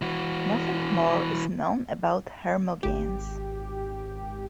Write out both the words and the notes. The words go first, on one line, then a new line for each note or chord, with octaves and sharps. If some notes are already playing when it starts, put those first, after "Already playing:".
Nothing more is known about Hermogenes.
E3 F#4
G#1 G4